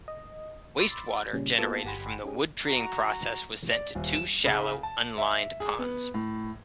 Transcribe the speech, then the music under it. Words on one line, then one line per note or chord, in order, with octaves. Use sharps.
Wastewater generated from the wood-treating process was sent to two shallow, unlined ponds.
D#5
B5 C6 D6 E6 A6
A#2 C#3 G3 C#4
A#3 B3 F4 F#4 A4 A5
G1 G4 F#5 G#5 B5 C6
C#4 G4 G#4
F#4 A#5
D5
D#1
E7
C#3
A5
E5
G#4
B3
A2